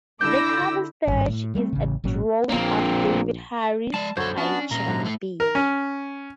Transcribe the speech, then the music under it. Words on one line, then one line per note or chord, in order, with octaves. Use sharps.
The cover sketch is a drawing of David Harris by Joan Baez.
D3 E4 D6 E6 G6 A#6
G#1 G2
A2
G3 A3 C4
A1 C#3
G#1 A#2 F#3 C#4
A#1 A#3 C4
G#3 D5 A5
B1 F#2 D3 F#4 A4 C5 C#5
B3 C#4 D4 F#4 A5
A#2 A#3 C#4 A#5
G#2 D3
A2 A3 A4
A#4
C#4